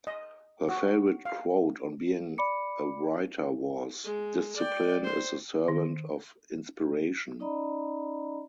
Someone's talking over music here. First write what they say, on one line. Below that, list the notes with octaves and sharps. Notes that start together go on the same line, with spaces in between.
Her favorite quote on being a writer was: Discipline is the servant of inspiration.
D#5
F#4
F5
D5 B5 D6 C#7
G#3
D5 G5
C5
D#3
C#4 D#4 D5 D#5 A#5 B5